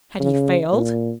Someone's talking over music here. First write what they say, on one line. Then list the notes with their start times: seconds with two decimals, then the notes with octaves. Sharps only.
Had he failed?
0.20 C#3
0.73 A#2